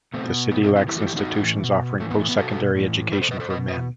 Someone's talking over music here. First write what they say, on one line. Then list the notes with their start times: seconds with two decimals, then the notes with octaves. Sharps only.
The city lacks institutions offering post secondary education for men.
0.14 B2 A3 C4
0.51 B2 B3 D#4
0.63 C4 E4
0.76 C4 E4
0.88 A2 E3 E4 G4
0.98 F#4 A4
1.07 E4 G4
1.16 D#4 F#4
1.26 A2 E3
1.63 B2
2.00 A2 E3 A3
2.10 B3
2.19 A3
2.28 B3
2.37 B2 F#4 A4
2.75 A2 E3
3.12 B2 G4 B4
3.21 A4 C5
3.31 B4 D#5
3.40 A4 C5
3.49 B2 B4 D#5
3.68 B4 D#5